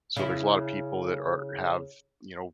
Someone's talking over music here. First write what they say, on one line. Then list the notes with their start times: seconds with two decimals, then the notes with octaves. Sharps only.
So, there's a lotta people that are have you know,
0.17 C#3 E4